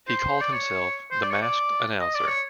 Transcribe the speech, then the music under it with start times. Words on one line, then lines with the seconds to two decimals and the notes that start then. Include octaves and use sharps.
He called himself "The Masked Announcer".
0.08 C5
0.41 D5
0.53 C#5
1.11 C5
1.22 D5
1.31 C#5
1.42 D5
2.00 D#5
2.15 D5
2.27 C#5